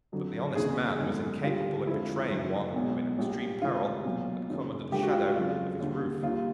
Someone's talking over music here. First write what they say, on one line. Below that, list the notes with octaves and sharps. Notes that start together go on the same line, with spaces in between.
But the honest man was incapable of betraying one who, in extreme peril, had come under the shadow of his roof.
F2 D3 F#3
F1 D#2 C#3 E3 G#4
G1 F#2 D#3 G#3
D2 D3 G3 F4
F2 D3 F3 G#3 E4
F#1 F#2 D#3
B1 B2 G#3
A#1 A#2 G3
D2 C3 E3 G#3 F4
B1 A#2 F#3
F#1 F#2 D#3
D2 D3 F3 G#3 G4
F#4
F4
F#4
F2 C#3 F#3 F4
D#2 D3 G3
D#2 D#3 G3 F4